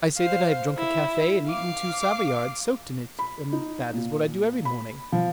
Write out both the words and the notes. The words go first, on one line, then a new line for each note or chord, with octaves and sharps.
"I say that I have drunk a cafe and eaten two Savoyards soaked in it, and that is what I do every morning."
C5 F5
E4
F5 D6
B5
D#4
A#2
B5
F3